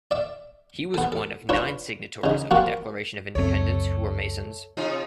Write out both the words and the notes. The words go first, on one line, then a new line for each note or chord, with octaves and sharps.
He was one of nine signatories of the Declaration of Independence who were masons.
D5 E5
B3 A4
A4
D4 F4 B4 C#5 A5
C#3 D#4
F3 A#3 C4 F4 F#4
C#2 F#2 A3 C4 C#5
C3 D#4 F4